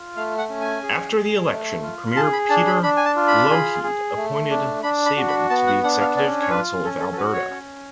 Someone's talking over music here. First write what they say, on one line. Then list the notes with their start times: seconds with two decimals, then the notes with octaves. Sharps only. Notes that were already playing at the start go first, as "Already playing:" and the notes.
After the election Premier Peter Lougheed appointed Shaben to the Executive Council of Alberta.
Already playing: F4
0.16 A3 F5
0.38 F#5
0.49 C#4
0.61 G#5
0.83 G#4
1.16 G#4
1.49 A3
1.83 F4
2.16 G#4 A5
2.33 B5
2.49 D4 A5
2.66 B5
2.83 D4 B5
2.97 G#5
3.05 A5
3.16 F4
3.28 B5
3.50 G#4
3.83 G#4
4.16 A3
4.50 D4
4.83 D4 B5
5.06 B5
5.17 F#4
5.28 B5
5.50 B3 A5
5.67 F#5
5.83 D4 F#5
6.00 F5
6.17 C#4 D5
6.41 C#5
6.50 F4 B4
6.84 C#4 A4
7.00 A4
7.12 A4
7.17 F#4 B4
7.33 C#5
7.50 C#4